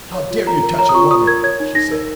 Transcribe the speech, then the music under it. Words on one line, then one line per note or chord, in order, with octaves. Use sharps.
"How dare you touch a woman?" she said.
C#5
F4
F4 A#5
A#4
C#5 A#5
D#6
F4 C#6
F4 D#6
A#4 G#6
C#5 G#6
D#4
D#4 A#6
A#4